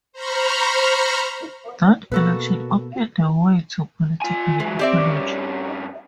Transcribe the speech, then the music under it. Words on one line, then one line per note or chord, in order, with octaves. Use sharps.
That election opened the way to political ecology.
C5 A#5 B5 C#6 F6
B2 A#3 F#4 A4 B4
F4 G#5
E3 F#3 G#3
C4 G4 D5 E5
G2 C#4